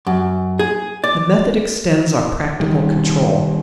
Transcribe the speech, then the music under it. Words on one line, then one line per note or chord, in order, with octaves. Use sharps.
The method extends our practical control.
F#2
G#4
D5
D#3 G3